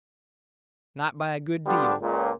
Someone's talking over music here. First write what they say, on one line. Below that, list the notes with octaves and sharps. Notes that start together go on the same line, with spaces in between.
Not by a good deal.
D3 G3 B3 D4 F4 G4
C#2 A#2